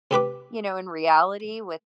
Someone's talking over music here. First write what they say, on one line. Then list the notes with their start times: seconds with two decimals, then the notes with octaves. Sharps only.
you know, in reality with
0.11 C3 G4 B4 D6